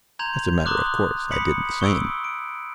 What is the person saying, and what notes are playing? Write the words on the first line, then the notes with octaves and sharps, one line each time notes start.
As a matter of course I did the same.
A#5 C6 G6 G#6 F7
A#5 C6 D6 D#6 F#6
B5 D#6 B6 C#7 F#7
C#6 D#6 E6 D7
D7